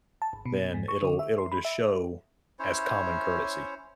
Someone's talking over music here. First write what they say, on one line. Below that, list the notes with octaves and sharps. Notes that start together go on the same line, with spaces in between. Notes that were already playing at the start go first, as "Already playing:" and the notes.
then it'll it'll just show as common courtesy,
A5
G#1
B2
B2
G#2
C#6
D3
E5
C6
B5
E5
C#4 E4 C5 C#5